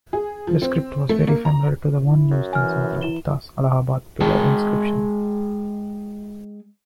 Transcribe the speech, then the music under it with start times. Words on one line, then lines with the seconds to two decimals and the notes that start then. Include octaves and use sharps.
The script was very similar to the one used in Samudragupta's Allahabad Pillar inscription.
0.13 G#4
0.47 F3
0.62 C4
1.09 A3
1.27 A#3
1.45 A#5
2.04 E4
2.31 F#2
2.53 E3 G#5 F6
3.01 E4 E7 G7
4.20 G#3 G#4 G5 A5